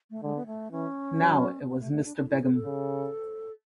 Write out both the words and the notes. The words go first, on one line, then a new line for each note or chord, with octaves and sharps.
Now it was "Mister Begum."
A3
D3 G#3
B3
A3
E3 C#4
F#3
B3
A3
A3
D4
D4
E4
G#4
A4
C#3